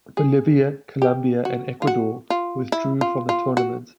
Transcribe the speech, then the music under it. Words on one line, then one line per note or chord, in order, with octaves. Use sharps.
Bolivia, Colombia, and Ecuador withdrew from the tournament.
G#4
G4
F#4
F4
F#4
F4
E4
F4
F4
F#4